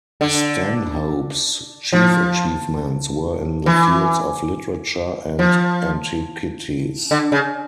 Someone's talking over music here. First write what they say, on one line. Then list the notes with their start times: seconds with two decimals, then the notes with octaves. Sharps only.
Stanhope's chief achievements were in the fields of literature and antiquities.
0.21 D3
1.93 F3
3.66 E3
5.39 F3
7.11 D3
7.32 C#3